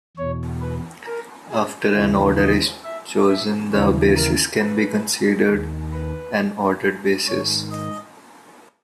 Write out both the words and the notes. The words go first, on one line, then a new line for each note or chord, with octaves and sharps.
After an order is chosen, the basis can be considered an ordered basis.
E2 B2 C#5
B4
A#4
G#4
D#2 C#3 E3 E4
D#5
E5
E5
D#2 C#3 E3 C#5
A#4
B4
D#2 D#3
B4
G#2 D#3 C#5
D#5